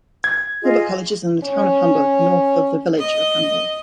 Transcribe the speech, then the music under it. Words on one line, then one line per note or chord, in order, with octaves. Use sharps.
Hilbert College is in the town of Hamburg, north of the village of Hamburg.
G#6
F4 G#4 D#5
C#4
D#5